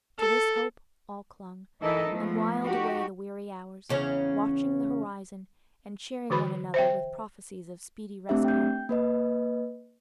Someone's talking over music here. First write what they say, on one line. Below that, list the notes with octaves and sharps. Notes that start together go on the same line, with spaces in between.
To this hope all clung, and wiled away the weary hours, watching the horizon and cheering one another with prophecies of speedy rescue.
A4
E3 D#4 E4 A4 A#4 D#5
F3 A3 B3
D#4 F#4 G4
E2 C#3 C#4
D3 E3 F#4 B4 B5
C5 E5 G5
A3 C4 D4 G4 E5
G5 G6
A#3 B4 D#5